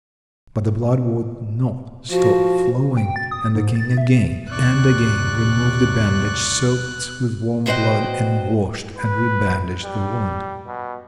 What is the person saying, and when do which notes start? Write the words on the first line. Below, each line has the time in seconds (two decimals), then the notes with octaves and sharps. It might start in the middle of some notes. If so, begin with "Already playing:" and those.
But the blood would not stop flowing, and the King again and again removed the bandage soaked with warm blood, and washed and rebandaged the wound.
2.11 F3 F#4
2.97 G5
3.16 A6
3.31 D#6
3.56 G#2
3.75 A6
3.97 E5
4.51 D#2 C3 D5 C#6 F#6
7.66 G2 B2 F#4 C5 D#5 G5
8.98 B4
9.84 G3
10.67 B2